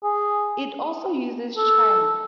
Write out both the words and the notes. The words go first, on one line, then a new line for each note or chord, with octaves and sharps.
It also uses chimes.
G#4
A4